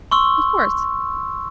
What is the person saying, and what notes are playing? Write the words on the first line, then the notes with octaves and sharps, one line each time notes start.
Of course.
C6 C#6 E6